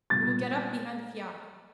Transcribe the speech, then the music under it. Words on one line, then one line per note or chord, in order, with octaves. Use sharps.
You will get up behind the fiacre.
A#2 G3 B3 A6